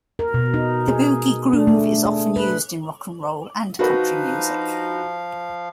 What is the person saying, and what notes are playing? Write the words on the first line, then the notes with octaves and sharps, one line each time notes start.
The boogie groove is often used in rock and roll and country music.
A#4
B2
D#4
G#4
D4
A3
G#4
B4
F3 D#4 F#4 B4 F5